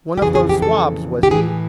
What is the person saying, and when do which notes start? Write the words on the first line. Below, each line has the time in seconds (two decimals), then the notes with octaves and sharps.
One of those swabs, was he?
0.18 G4
0.22 F2 C#3 E3 G#4
0.35 G#4
0.49 G4
0.62 A4
1.23 G4
1.31 E3 G#4
1.35 A2